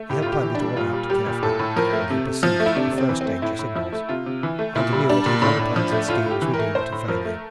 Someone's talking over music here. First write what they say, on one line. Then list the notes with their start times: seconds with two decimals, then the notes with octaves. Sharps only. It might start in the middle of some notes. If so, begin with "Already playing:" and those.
He had planned it all out, carefully, when he perceived the first danger signals, and knew that his other plans and schemes were doomed to failure.
Already playing: A3
0.10 A2 G4
0.22 A2 F4
0.32 G4
0.43 E3
0.55 D4
0.60 G3
0.76 A#2 F4
0.93 G3
1.10 G3 G4
1.26 A#2
1.43 A2 A4
1.59 A2
1.76 F3 A#4
1.92 A3
2.10 C3
2.27 C3
2.43 F3
2.60 A3
2.66 E4
2.76 C3 D4
2.92 C3
2.98 C4
3.09 E3
3.21 A3 C4
3.42 A2 E4
3.59 A2
3.75 F3 E4
3.92 A3
4.09 C3 F4
4.26 C3
4.43 E3
4.59 A3
4.75 A#2 E4
4.92 G3
5.09 G3 D4
5.26 A#2
5.42 A2
5.59 A2
5.76 F3
5.92 A3
6.08 A2 F4
6.26 A2 G4
6.42 E3
6.54 A#4
6.59 A3
6.75 A2 C5
6.92 A2
7.08 F3 A#4
7.25 A3